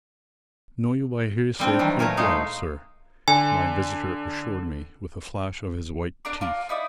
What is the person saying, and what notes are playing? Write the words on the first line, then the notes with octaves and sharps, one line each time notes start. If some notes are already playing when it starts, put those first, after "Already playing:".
"Know you by hearsay quite well, sir," my visitor assured me, with a flash of his white teeth.
G3 C4 D4
D#3 E3 F#3 C4
A#2 A3 A#4 G#5
G#3 A3 D#4 F5
D3 G#5
D4 A#4 D5
F4 A#4 D5
D#4 E4 D5 D#6